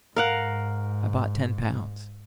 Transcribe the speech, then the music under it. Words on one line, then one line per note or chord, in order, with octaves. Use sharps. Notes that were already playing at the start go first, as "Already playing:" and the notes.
I bought ten pounds.
G#2 A#4 F5 F#5